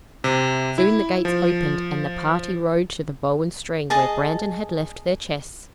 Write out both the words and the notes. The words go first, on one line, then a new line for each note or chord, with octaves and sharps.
Soon the gates opened, and the party rode to the Bow and String, where Brandon had left their chests.
C3
E4
F3
G#4 D#5 A5